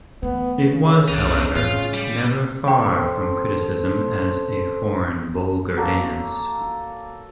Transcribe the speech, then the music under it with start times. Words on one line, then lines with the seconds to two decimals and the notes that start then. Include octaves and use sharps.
It was, however, never far from criticism as a foreign, vulgar dance.
0.23 E3 A3 B3
0.73 C#3
1.08 C2 D4 D#4
1.56 A2 F4
1.94 G3
2.68 A4 C5 G5
5.77 A#3 F#4 A4 C#5